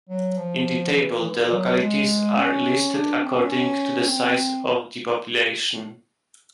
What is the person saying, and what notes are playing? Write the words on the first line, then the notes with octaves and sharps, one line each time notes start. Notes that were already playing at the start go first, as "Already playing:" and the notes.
In the table the localities are listed according to the size of the population.
F#3
F3
E3
E3
F#3
G#3
C#4
D4
C4
C#4
C#4
C4